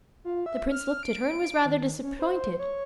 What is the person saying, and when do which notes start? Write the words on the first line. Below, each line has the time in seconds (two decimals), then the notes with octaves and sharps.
The prince looked at her and was rather disappointed.
0.24 F4
0.46 E5
0.71 F6
1.03 D7
1.65 D#3
2.03 C#4
2.19 C5
2.59 C#5